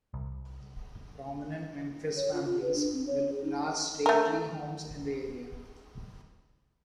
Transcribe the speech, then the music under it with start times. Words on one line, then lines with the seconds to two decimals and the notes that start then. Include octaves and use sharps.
Prominent Memphis families built large stately homes in the area.
0.14 C2
2.16 C#5
2.33 F4
2.45 F4
2.62 B4
2.75 D4
2.93 C4
3.07 C#5
3.32 G#4
3.44 D#4
4.06 A3 A#4